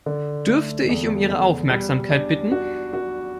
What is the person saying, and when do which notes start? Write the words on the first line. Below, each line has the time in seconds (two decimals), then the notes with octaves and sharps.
Dürfte ich um Ihre Aufmerksamkeit bitten?
0.06 D3
0.47 A3
0.89 E2
1.29 E2
1.70 G3
2.10 D4
2.52 F#4
2.93 F#4